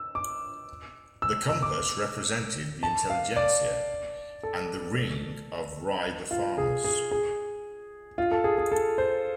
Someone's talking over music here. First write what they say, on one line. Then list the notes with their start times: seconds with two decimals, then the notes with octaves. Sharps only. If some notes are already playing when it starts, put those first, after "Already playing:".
The compass represented the intelligentsia, and the ring of rye the farmers.
Already playing: E6
0.15 D6
1.22 E6
1.49 E6
1.62 D6
2.83 A5
3.10 F5
3.36 D5
4.43 A4
6.31 F4
6.58 G#4
6.84 G#4
7.11 G#4
8.18 F4
8.32 A4
8.44 G#4
8.58 G#4
8.72 A4
8.98 C5